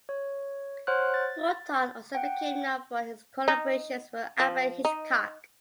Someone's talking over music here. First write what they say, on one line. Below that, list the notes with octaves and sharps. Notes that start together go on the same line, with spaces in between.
Fulton also became known for his collaborations with Alfred Hitchcock.
C#5
C5 C#5 F#5 C6 F6 F#6
A6
F#5 G5
D#4
F3
D#4